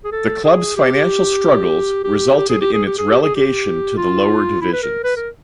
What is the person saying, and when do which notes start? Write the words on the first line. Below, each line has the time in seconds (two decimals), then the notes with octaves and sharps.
The club's financial struggles resulted in its relegation to the lower divisions.
0.04 G#4
0.12 A4
0.44 G#4
0.77 G4
2.04 G4
2.37 G4
2.49 G#4
2.61 G4
2.73 G#4
2.86 G4
2.98 G#4
3.10 G4
3.22 G#4
3.35 G4
3.97 F4
4.61 E4
4.73 B4
4.82 A#4
5.04 B4
5.16 A#4